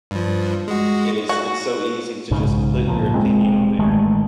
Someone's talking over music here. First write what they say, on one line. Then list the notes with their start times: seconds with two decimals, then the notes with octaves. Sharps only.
it is it's so easy to just put your opinion on there,
0.11 G2 F3
0.68 G#3 F#4
1.29 F#4
2.31 B1 G#2 C#3
2.86 C#2 A#2 F3
3.15 E1 G#3 C4
3.79 A1 D#3 G#3 A3